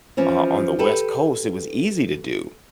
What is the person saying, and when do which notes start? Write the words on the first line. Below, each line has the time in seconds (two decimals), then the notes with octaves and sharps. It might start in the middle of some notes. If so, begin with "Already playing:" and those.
o on the West Coast, it was easy to do,
0.17 E3 F3 C#4
0.79 G4 A4 B4